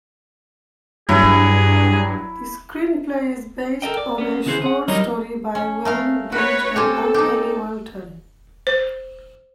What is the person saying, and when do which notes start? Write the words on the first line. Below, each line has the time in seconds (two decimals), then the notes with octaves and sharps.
The screenplay is based on a short story by Wayne Beach and Anthony Walton.
1.09 G2 F#3 E4 G#4
3.82 A4 A#4 D#5 G5
3.97 D5
4.18 B3 C#4
4.46 C#3 E3 B3 G#4 C5
4.62 G#4 F#5
4.88 F#3 G3 D#4 A#4 C#5 D#5
5.55 C#4
5.85 A3 A#4 F5
6.32 F#4 B4 C#5
6.76 C4 C#4 G4 A4
7.14 D#4 G4
8.67 C5